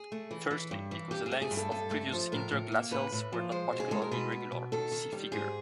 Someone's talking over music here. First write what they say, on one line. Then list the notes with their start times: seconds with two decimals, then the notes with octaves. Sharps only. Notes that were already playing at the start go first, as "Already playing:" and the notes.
Firstly, because the lengths of previous interglacials were not particularly regular; see figure.
Already playing: G#4
0.12 A3
0.31 E3
0.51 E3
0.71 G2
0.91 E3
1.11 G2 G4
1.26 G#4
1.31 A3
1.42 G#4
1.51 G2
1.57 A4
1.71 G2 A4
1.91 A3
2.12 F3
2.32 A2 A#4
2.51 A2
2.72 A#3
2.91 A2 B4
3.12 A2
3.33 F3
3.51 G#3 C5
3.73 B2
3.80 G#4
3.91 G#3 A4
4.02 A#4
4.11 B2 B4
4.32 B2
4.52 B2
4.72 D#3 A4
4.92 D#3
5.13 G3
5.32 G#2 G#4